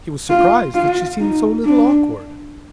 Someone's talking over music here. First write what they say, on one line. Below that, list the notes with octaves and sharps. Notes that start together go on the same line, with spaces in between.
He was surprised that she seemed so little awkward.
F4
F4
D#4
D4